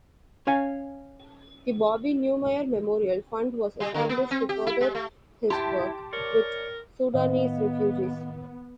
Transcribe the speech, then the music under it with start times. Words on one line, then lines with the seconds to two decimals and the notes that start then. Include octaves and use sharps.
The Bobby Newmyer Memorial Fund was established to further his work with Sudanese refugees.
0.47 C#4 C#5 F5 G#5
3.80 G3
3.94 D3
4.09 B3
4.31 C4
4.49 G4
4.67 E4
4.81 G#3
4.95 A3
5.50 E4 G4 G5 A5 C6
6.13 A#4 C#5 D5
7.14 A2 D#3 B3 D#5 F5